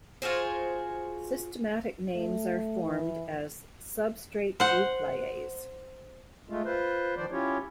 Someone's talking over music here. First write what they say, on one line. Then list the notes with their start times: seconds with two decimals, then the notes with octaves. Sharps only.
Systematic names are formed as "substrate group-lyase".
0.22 F4 F#4 G#4 C5
2.14 A3
2.84 E3
4.60 C5 F#5
6.49 G#3 A3 F4
6.65 F4 B4 C5
7.16 D#3 F3 C5 D5
7.32 C#4 E4 F4 G4 C#5